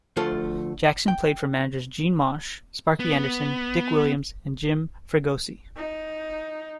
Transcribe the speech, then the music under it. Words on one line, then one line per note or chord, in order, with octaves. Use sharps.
Jackson played for managers Gene Mauch, Sparky Anderson, Dick Williams and Jim Fregosi.
D2 F3 A3 F4 A4
G5
B3
D#4